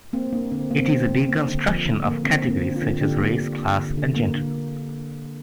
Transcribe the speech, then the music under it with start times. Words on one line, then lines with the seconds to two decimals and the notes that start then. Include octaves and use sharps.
It is a deconstruction of categories such as race, class, and gender.
0.13 A#3 C4
0.33 A#3 D4
0.51 D3 C4
0.71 A#3
0.80 C4
0.89 D3 A#3
1.09 D3
1.28 A#3
1.48 D3
1.67 F3
1.86 D3
2.05 A#3
2.24 D3 C4
2.44 A#3
2.50 C4
2.63 D3
2.69 D4
2.75 C4 F4
2.82 D3
3.01 D3 D4 G4
3.20 A#3
3.40 D3
3.59 A#3
3.79 D3
3.98 D3
4.16 A#3
4.35 D3